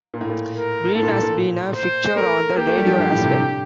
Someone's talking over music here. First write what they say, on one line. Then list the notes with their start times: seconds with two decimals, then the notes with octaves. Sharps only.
Breen has been a fixture on the radio as well.
0.14 A#2
0.21 A2
0.30 A#2
0.54 A#4
0.95 A2 A4
1.03 A#2
1.07 A2
1.21 A#2
1.75 C5
2.16 A3 A#4
2.57 A#3 G4
2.67 A3
2.78 G3
2.86 F3
2.97 G2
3.11 A2
3.24 C3
3.37 D3